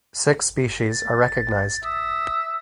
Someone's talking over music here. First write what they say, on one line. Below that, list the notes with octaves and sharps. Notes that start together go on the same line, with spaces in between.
Six species are recognized.
A6
E5 D#6